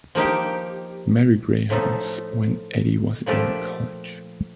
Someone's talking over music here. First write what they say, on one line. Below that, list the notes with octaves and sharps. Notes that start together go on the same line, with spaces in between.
Marie Greyhounds when Eddie was in college.
F3 A#3 D#4 G4
A2 F3 A3 D#4
A#2 F3 A3 D4 G4